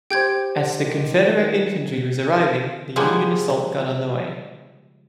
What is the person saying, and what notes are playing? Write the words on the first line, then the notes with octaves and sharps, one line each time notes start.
As the Confederate infantry was arriving, the Union assault got underway.
G4 C5 G5 G6 G#6
D#3
C#3 F3 G3 G#3 A#3 B3